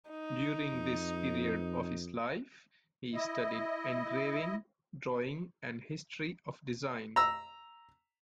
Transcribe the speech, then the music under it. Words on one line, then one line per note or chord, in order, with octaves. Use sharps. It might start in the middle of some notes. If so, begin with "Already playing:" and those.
During this period of his life he studied engraving, drawing and history of design.
D#4
F2
E4 D#5
A#5 E6